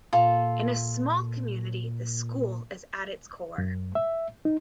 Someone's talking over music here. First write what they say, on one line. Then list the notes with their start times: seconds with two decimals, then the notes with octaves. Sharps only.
In a small community, the school is at its core.
0.13 A#2 F4 A4
3.58 F#2
3.95 E5
4.45 D#4